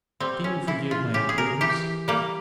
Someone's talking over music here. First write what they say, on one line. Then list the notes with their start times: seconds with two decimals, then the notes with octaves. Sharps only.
'Can you forgive my imprudence?'
0.20 G3 C4
0.44 C#4
0.67 E3 E4
0.91 F4
1.14 C#3 G4
1.29 G#4
1.38 A#4
1.61 E3 G4
2.08 G3 A#3